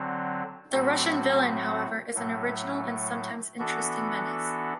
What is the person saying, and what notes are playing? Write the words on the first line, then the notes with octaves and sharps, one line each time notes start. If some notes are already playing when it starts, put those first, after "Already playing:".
The Russian villain, however, is an original and sometimes interesting menace.
Already playing: D3 F#3 C4
A2 F#3 A3 C4 F#4
A2 F#3 A3
E3 B3 D4 F#4 A4